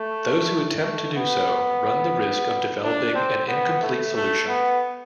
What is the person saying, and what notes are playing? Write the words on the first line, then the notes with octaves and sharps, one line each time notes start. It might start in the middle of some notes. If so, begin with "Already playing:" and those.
Those who attempt to do so run the risk of developing an incomplete solution.
Already playing: A3
A3
B3
D4
C4
B3
A3
A3
B3